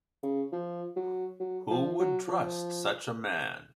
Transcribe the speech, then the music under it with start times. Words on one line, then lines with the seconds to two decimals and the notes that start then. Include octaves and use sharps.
Who would trust such a man?
0.23 C#3
0.53 F3
0.96 F#3
1.40 F#3
1.70 F3
1.99 F#3
2.28 F3